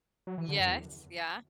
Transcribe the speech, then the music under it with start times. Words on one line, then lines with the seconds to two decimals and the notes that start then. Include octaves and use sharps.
Yes, yeah.
0.27 F#3
0.38 E3
0.49 D3
0.60 F#2
0.70 E2